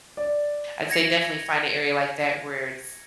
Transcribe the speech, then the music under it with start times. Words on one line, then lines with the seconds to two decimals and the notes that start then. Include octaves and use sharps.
I'd say definitely find a area like that where it's
0.17 D5
0.90 G#6 A#6 C#7 F7